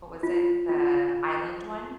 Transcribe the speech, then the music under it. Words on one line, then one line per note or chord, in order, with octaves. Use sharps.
what was it, the island one?
F4
F4